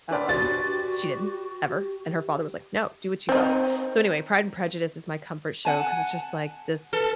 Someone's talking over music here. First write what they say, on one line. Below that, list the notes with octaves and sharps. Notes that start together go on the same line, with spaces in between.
um, she didn't, ever, and her father was like, "No, do what you love." So anyway, Pride and Prejudice is my comfort show 'cause it's just, like, this
D4 B4 D5 C6
F#4 G4 A6
C4 D#4
F#5 G#5 A5
A4 B4